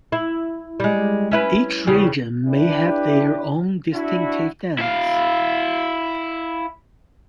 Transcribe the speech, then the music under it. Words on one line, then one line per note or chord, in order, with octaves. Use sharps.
Each region may have their own distinctive dance.
E4
G3 G#3
C#4 E4 B4
E2 C#3 G3
D4 E4 G4 B4
D4 E4 F#4
E4 F5